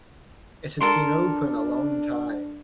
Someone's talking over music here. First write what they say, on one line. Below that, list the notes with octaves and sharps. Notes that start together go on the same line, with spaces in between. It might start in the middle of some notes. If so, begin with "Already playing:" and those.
It has been open a long time!
D4 A4 A#4 C6